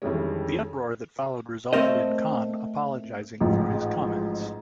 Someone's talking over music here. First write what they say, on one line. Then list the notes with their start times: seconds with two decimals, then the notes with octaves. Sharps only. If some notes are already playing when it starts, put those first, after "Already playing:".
The uproar that followed resulted in Kahne apologizing for his comments.
0.02 F2 D#3 E3 G3 G#3 C#4
1.73 A3 C4 A#4 C5 D#5
3.41 A1 G#2 F3